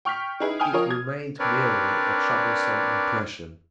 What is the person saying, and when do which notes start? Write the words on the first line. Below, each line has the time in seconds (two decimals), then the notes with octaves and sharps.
It remained merely a troublesome impression.
0.05 G5 C#6 F6 G6 B6
0.40 D#4 E4 G#4 B4
0.59 G5 G#5 D#6 F6
0.73 F3 F4 A#4 C#5
0.90 G#6
1.39 C4 D4 A#4 B4 C#5 D5